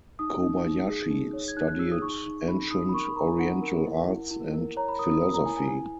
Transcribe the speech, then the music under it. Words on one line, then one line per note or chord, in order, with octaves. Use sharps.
Kobayashi studied ancient oriental arts and philosophy.
D#4 D#6
D#4
D#4
G#4
D#4
C#5
G#6
D#4 F#6
F#6
G#4 E6
D#6
D#4 C#6
D#4
D#4 B5
D#4 D#6
B5
A#4 C#6
B5
A#4 A#5
G#5
D#4 F#5
A#4
E4
E4
E4
A#4
C#5 A#5
B5
A#4 D#6
D#6
A#4 D#6
A#5
E4 G#5
G#5
E4 G#5